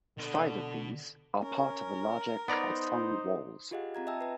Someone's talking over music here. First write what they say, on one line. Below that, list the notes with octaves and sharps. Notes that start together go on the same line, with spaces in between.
Five of these are part of the larger Kaesong Walls.
B2 D3
C#4 A#4
B3 D#4 C5 D5 A#5
F4 G4 G#4 D#5 F5 F#5
C4 F4 A#5 G#6
D#5 E5 G5 A5 E6
B4 D#5